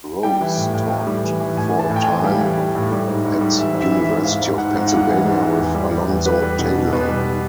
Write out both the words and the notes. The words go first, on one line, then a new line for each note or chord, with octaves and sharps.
Rose taught for a time at University of Pennsylvania with Alonzo Taylor.
G3 G5
E3
A2
A2
A2
G3
E3
E3
A2 G#5
E3
A5
A2
G5
G#5
E3
G3 F5
E3
G3
A2
G3
G#2
G#2
G3
E3 E5
G#2
E5
E3
E5
G#2
G#2 F5
G#2
G#2 F#5
G#2
F#5
G3 F5
E3
G#2
E3
E2
G3
G3
E2
G3 B4
G3
B2
B2
B2 B4
G3